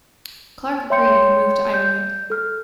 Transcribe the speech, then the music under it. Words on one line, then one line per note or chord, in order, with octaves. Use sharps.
Clarke agreed and moved to Ireland.
C#5 E5 G5 C6 G6 C#7
G6
A4 F6